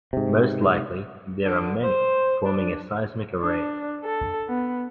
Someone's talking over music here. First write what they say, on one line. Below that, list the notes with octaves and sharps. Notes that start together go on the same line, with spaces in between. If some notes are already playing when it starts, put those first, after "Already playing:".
Most likely, there are many, forming a seismic array.
G#2 C3
D3
C5
D4
D4
A4
B3